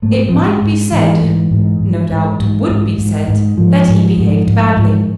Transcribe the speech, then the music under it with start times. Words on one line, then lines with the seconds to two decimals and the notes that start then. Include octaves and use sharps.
It might be said, no doubt would be said, that he behaved badly.
0.02 G#2 A3
0.15 G#3
0.29 G#2 F3
0.41 G#3
0.62 G#2
0.91 G#2 E3
1.21 G#2
1.51 G#2
1.80 G#2
2.10 G#2
2.40 G#2
2.69 G#2
2.98 G#2
3.28 G#2
3.57 G#2 F3
3.88 G#2
4.18 G#2
4.47 G#2
4.77 G#2